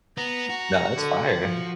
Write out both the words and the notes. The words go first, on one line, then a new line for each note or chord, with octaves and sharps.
No, that's fire.
B3 A#5
F#4
D3
F3